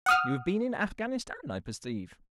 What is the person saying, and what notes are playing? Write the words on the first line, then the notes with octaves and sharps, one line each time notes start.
"You have been in Afghanistan, I perceive."
F#5 D#6 F6